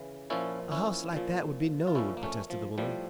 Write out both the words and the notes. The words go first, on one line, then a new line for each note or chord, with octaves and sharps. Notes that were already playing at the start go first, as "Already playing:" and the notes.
"A hoss like that would be knowed," protested the woman.
Already playing: C#3 E3
A#2 F3 C#4 E4
C#4 E4
A#2 F3
F4
A#2 F3 C#4 E4
A#3
A3 C#4
F3
A2 F3 G3